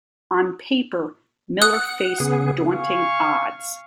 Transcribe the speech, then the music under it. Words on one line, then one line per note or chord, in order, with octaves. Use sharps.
On paper, Miller faced daunting odds.
F#5 D#6 F#6
C#3 B3 G#4
F5 G#5 C#6